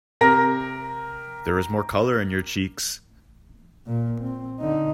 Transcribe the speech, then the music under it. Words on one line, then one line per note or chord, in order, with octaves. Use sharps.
There is more colour in your cheeks.
C3 A#4 A#6
A#2 A#3
C4
D3 D#4